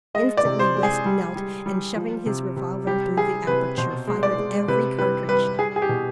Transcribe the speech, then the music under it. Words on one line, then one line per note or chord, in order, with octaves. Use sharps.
Instantly West knelt, and shoving his revolver through the aperture fired every cartridge.
G#3 D#5
D5
C3
C5
G#3
G#4
G3
G3
G3
F3
C3
C3
G3 G4
G3 G#4
C3 B4
B2 C5
G#3
D5
G#3
C3 B4
G3 B4
G3 B4
G3 G#4
G#4
G4
B2